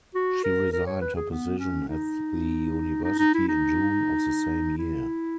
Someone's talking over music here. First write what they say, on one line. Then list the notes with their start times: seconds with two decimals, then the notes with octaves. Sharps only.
She resigned her position at the university in June of the same year.
0.15 F#4
0.44 A#4
0.72 A#4
0.87 C#5
1.01 B4
1.15 G#4
1.30 B3
1.59 C#4
1.89 D#4
3.04 D#4
3.18 D#4
3.34 E4
3.48 D#4
4.78 E4